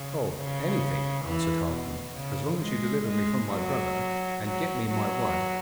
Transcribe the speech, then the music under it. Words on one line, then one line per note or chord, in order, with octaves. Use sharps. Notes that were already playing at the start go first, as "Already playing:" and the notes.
'Oh, anything,' answered Halfman, 'as long as you deliver me from my brother, and get me my wife.'
Already playing: C#3
C#3
E3
B2
C#3
G#3
G#3
F#3
F#3
F#3